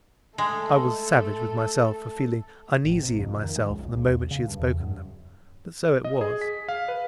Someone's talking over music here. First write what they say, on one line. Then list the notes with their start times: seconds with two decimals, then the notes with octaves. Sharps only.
I was savage with myself, for feeling uneasy in myself the moment she had spoken them--but so it was.
0.38 G#3 A3 A4
2.85 A1
3.03 C3
3.19 F2
3.43 D#3
3.57 G#3
3.70 C#2
3.85 C#2
4.08 E2
4.31 C#3
4.48 G2
4.59 E2
4.80 F#2
6.04 D#5
6.21 G#4
6.41 B6
6.68 F5
6.88 B4